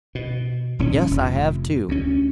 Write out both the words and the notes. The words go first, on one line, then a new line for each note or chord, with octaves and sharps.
Yes, I have, too!
B2
D#1 C4 C#4
F1 F2
D2 C#4